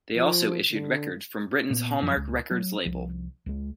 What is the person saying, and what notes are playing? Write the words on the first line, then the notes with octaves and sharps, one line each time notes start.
They also issued records from Britain's Hallmark Records label.
F3
D3
A#2 B3
F#2 F3 F#3
C#2
F#3
C2 F3
C#2 G#3